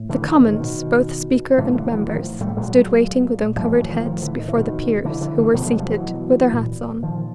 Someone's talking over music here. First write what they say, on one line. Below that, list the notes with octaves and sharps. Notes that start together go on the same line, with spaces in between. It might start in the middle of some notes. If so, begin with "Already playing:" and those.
The Commons, both Speaker and members, stood waiting with uncovered heads, before the peers, who were seated, with their hats on.
Already playing: A2
D3 E3
D3
D#3
D#3
B2
A2 D3 E3
D#3
D3 E3
E3 F#3
D#3 F3
G3 A3
A#2 F#3 G#3
A2 F3 G3
E3 F#3
D#3 F3
D#3 F3
D3 E3
D#3
E3
B2 D#3
D3 E3
D3 E3
D3 E3
B2 D#3 F3
F#3 G#3
F3 G3
E3 F#3
A#2
D#3 F3